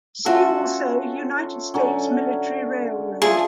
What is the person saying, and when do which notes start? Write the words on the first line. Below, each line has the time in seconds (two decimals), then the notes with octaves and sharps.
See also United States Military Railroad.
0.25 A3 C#4 F4 F#4 A4
1.74 D3 F#3 C#4
3.22 F3 A3 F4 G#4 A4